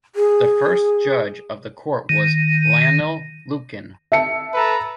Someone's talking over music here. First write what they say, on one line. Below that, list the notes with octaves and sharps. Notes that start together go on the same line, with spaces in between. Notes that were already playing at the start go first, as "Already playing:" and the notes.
The first judge of the court was Lionel Lukin.
G#4
D#3
E5 A5 C#7
A4 B4 A#5